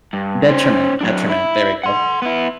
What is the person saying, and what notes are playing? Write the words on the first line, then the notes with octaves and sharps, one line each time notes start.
Detriment, detriment, there we go.
G2
C#4 C5
F#3 D4
E4
F#5 C6
B3 E4